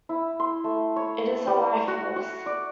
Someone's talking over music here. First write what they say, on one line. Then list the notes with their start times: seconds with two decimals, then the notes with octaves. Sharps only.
It is a life force.
0.09 E4
0.40 C6
0.64 A3
0.96 C#5
1.47 G3
1.88 F#4
2.16 F#4
2.46 D5